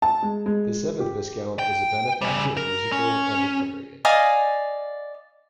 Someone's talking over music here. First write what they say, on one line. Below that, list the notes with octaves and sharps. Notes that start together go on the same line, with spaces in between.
The seventh Viscount was a benefactor and musical antiquarian.
A5
G#3
G#3
G4
G5
C#3 G3
A#4
C#4
D5 D#5 F5 G#5